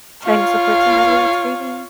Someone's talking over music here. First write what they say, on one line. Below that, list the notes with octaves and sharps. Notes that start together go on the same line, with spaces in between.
trying to support somebody that's grieving?
F4 C#5 F5